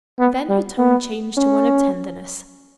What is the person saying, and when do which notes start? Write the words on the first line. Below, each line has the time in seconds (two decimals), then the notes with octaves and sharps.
Then her tone changed to one of tenderness.
0.20 B3
0.49 G3
0.78 B3
1.37 C#4